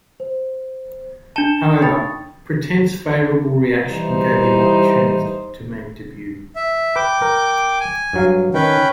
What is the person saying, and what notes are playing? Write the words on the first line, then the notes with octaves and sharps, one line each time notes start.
However, pretense favorable reaction gave him opportunity to make debut.
C5
D4 A5 C#7 E7 G7
D#4 G5 B5 C#6 D#6 A6
E3 G3 D#4 C5
E5
B4 G5 D6
A#4
G#5
G2 F#3 F5
D#3 C#4 B4 G5